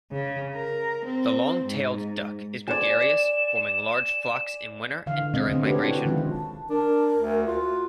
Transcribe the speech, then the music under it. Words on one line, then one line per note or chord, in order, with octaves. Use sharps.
The long-tailed duck is gregarious, forming large flocks in winter and during migration.
C#3
A#4
C4
G#2
D5 G#5 E7
D3 E3 F5
B2 G#3 C4 D#5
D3 A3 C4
C#4 D4 F#4 G4 B4 C#5
C#4 E4 F#4
D#3 F3 G#3 C4 F4
A5
D4 A#4
D2
F4 F#4